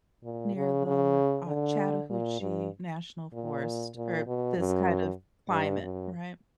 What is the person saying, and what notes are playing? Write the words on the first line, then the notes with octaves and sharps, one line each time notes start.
near the, uh, Chattahoochee National Forest, or this kind of climate, right?
A#2
C#3
C#3
D3
A#2
G2
A#2
A#2
B2
F#2
G2
F#2